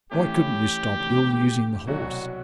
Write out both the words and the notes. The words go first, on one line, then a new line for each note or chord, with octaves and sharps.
Why couldn't you stop ill-using the horse?
A2 E3 A3 C#4 G4
D2 C3 E3
C2 B2 F#3 F#4